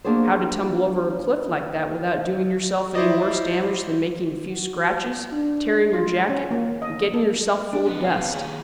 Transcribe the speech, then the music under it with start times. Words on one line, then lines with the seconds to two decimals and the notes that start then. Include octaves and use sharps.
"How to tumble over a cliff like that without doing yourself any worse damage than making a few scratches, tearing your jacket, and getting yourself full of dust."
0.05 A#3 B3 D4 F#4 G#4 C5
2.95 E4 C5 D5 D#5
4.49 F#4
5.32 D4
5.93 F4
6.29 C#4
6.51 A#3
6.82 D#5
7.14 A4
7.73 D4
7.87 C3 B3
8.04 F5
8.32 D#2 G#4